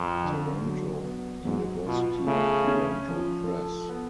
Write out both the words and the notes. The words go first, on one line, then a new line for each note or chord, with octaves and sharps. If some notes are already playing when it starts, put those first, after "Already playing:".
Toronto : University of Toronto Press.
Already playing: F2
D3
F#3
B3
G#2 F#3
B2 F4
C#3 A3
C#4
F3
A4
B3